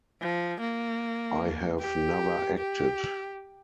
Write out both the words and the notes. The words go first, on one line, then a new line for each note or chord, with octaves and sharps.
I have never acted.
F3
A#3
G4
G4